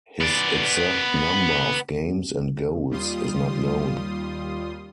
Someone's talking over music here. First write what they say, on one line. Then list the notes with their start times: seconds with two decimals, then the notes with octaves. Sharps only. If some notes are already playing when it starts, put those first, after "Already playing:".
His exact number of games and goals is not known.
0.21 B3 D5
2.90 D#2 G3 F4 C6 D#6